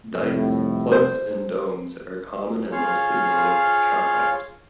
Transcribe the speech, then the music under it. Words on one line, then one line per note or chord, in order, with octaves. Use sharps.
Dykes, plugs and domes are common and mostly made from trachyte.
C2 F2 A2
C5
F4 G#4 C5 C#5 F5